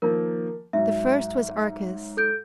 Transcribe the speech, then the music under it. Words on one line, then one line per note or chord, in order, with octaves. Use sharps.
The first was Arcas.
D#3 F3 A#3 A#4
G#2 F#3 E5
A4 G6 D7